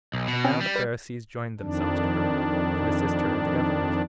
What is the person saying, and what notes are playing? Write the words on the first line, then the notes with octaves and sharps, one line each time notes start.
And now the Pharisees joined themselves to her, to assist her in the government.
B1
B2
C4 C#4
G3
B4
F2 D#3 D4